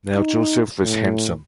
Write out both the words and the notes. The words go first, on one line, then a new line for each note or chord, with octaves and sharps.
Now Joseph was handsome.
D#4
A2